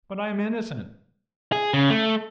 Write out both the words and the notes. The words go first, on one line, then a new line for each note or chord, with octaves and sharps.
"But I am innocent."
G#4
C#3
A3